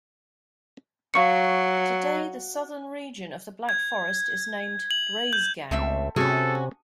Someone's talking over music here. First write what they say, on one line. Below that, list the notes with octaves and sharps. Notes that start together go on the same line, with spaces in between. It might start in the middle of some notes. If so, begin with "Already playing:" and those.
Today the southern region of the Black Forest is named Breisgau.
F#3 F5 C#6 C#7
G#6
F#7
G6
C#2 A3 C4 E5
C3 C#4 F#4 G#4 A4